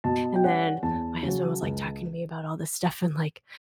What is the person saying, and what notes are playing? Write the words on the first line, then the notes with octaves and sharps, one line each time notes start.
And then my husband was, like, talking to me about all this stuff and, like,
B2 A5
G5
G3 C#4 F#5
E2 A5
C#3 F#3
C#2